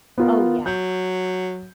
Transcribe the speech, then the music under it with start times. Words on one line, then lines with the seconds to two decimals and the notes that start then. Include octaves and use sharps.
Oh, yeah.
0.18 B3 F4 A#4
0.66 F#3 G6